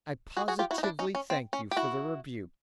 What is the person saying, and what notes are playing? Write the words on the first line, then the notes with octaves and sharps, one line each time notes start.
I positively thank you for the rebuke.
F#4 G#4
F#4 G#4
F4 G4
E4 F#4
D#4
D4 E4
C#4 D#4
C#4
C4
C#4
G4
E4 F#4